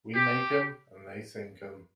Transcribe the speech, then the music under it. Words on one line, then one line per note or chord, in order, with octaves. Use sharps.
"We make'em and they sink'em".
G4